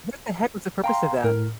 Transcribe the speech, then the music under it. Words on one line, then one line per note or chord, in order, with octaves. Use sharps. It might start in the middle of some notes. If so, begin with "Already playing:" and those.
What the heck was the purpose of that?
F5 G5 A#5 C6
A2 A#4